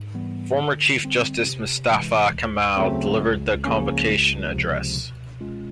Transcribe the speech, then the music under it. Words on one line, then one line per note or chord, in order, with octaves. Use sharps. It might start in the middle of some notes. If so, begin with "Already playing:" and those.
Former Chief Justice Mustafa Kamal delivered the convocation address.
Already playing: G#2
E3 G3 B3
D3
G3 C4
C3
E3 G#3
D2
C#3 F#3 A3 C4
C#2
C#3 F3 A#3 C#4
C#2
C3 F3
B2
G#3 C#4 F4